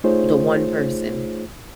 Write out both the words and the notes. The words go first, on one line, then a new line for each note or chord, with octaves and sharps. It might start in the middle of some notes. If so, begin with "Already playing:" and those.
the one person.
A3 D#4 F4 G#4 C5 C#5